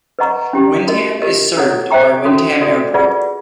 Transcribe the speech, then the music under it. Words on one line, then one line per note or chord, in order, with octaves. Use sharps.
Wyndham is served by Wyndham Airport.
B4 D#5 F#5 A#5 C#6
C#4 E4 G4
F#4 A#4 D#5
G4 A#4 D#5
E4 A4 C#5 F#5
C5 E5 G5 A#5 C#6
C#4 F#4 A4
F#4 A4 D5
F4 G#4 B4 D5 F#5